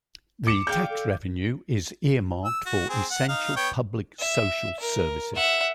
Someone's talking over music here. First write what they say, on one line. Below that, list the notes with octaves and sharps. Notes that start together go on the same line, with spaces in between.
The tax revenue is earmarked for essential public social services.
D6 C#7 E7
G#4 D5 F5 G5 G6
A4
E6
F#4
C4 G#4
F#5
D#4 F5
B3 C#5 G5
E5
A#4
E5 F#5